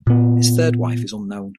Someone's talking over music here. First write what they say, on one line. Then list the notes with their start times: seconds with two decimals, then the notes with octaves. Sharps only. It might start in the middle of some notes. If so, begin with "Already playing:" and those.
His third wife is unknown.
0.07 A#2 B3